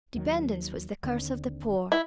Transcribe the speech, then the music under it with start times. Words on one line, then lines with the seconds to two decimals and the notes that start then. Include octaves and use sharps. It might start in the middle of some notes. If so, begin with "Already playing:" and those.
Dependence was the curse of the poor.
0.15 D#2 D#3 F#3
1.03 D#2 D3 G3 C4
1.92 E4